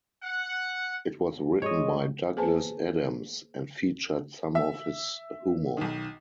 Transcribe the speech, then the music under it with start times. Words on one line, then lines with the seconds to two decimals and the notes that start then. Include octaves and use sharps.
It was written by Douglas Adams, and featured some of his humour.
0.23 F#5
1.62 G#3 C#5 D#5
2.37 A#3 G#4 B4 C5 G#5 A5
4.55 E5
5.77 B1 D#3